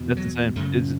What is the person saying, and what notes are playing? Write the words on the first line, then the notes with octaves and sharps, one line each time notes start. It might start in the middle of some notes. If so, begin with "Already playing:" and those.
That's insane. Is i
Already playing: E2 B2
F#3
F#2 C#3 A3